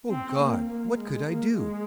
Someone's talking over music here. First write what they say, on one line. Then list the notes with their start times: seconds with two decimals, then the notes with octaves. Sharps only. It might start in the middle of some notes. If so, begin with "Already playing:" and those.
Oh God! what could I do?
0.10 C4
0.39 A#3
0.68 A#3
0.96 G#3
1.26 A#3
1.54 G#3